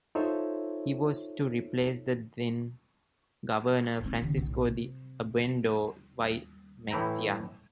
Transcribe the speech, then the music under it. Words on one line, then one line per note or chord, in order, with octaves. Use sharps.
He was to replace the then governor Francisco De Obando Y Mexia.
D#4 F4 A4 C5 C#5 E5
G#2 C4
D#2 C#3
B1 A2
C3
A2 E3 E4 G5 A#5